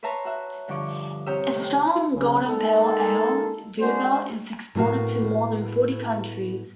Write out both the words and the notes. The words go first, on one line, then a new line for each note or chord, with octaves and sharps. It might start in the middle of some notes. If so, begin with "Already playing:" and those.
Its strong golden pale ale, Duvel, is exported to more than forty countries.
B4 C#5 E5 A5 A#5 C6
F#4 E5
G2 D3 F3 C#6 D6
C3 G4 C#5 A#5 D#6 E6
A2 C3 D#3 E3
B1 C#3
G#3 A#3 D#4 A4
G#3 C4 D4 F#4 G#4 C5
A2 G3 B3 F#4 A#4 F5